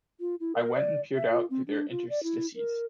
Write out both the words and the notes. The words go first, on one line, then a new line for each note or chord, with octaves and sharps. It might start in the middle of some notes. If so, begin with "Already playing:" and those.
I went and peered out through their interstices.
F4
E4
A#4
D5
E5
F4
C4
D4
F4
D5
E4
A#4